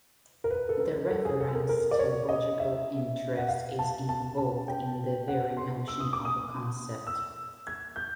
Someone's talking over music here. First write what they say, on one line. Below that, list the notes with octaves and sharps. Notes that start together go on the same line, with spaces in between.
The reference to logical interest is involved in the very notion of a concept.
A#4
B4
A4
A#4
A4
G#4
A4
A#4
A#4
D5
C#5
D#5
E5
F#5
F5
A5
A5
A5
G5
F#5
C6
E6
D#6
D6
D#6
E6
G#6
G6